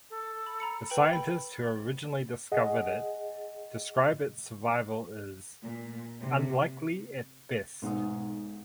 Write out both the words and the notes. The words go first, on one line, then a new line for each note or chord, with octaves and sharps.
The scientists who originally discovered it describe its survival is "unlikely at best".
A4
B5
A#5 B5 C#7
B4 G5 D7 F#7
B5
G#4 D#5 F#5
A#2
C3
B1 G#2 F#5 D#6